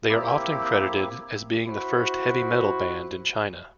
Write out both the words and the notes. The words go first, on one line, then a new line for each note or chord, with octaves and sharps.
They are often credited as being the first heavy metal band in China.
A#3 C4 E4 G4
E4 F#4 C5 B5